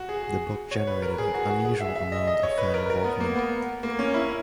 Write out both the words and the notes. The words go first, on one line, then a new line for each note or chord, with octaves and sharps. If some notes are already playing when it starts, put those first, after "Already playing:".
The book generated an unusual amount of fan involvement.
Already playing: F#4
G#4
C#5
B4
A#4
G#4
F#4
F#4
G#4
E5
E5
D#5
D#5
C#5
B4
A#4
A#4
B3
A#3
B3
A#3
C#4
E4